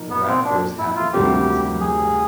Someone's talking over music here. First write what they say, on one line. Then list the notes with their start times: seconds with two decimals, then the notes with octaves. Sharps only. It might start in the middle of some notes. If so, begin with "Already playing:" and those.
The raptors have the baby as a meal.
Already playing: A#2 F3 A#3 D#4
0.10 B3
0.28 C4
0.45 D4
0.79 E4
0.96 F4
1.13 D2 C3 D#3 G3 C4 G4
1.81 G#4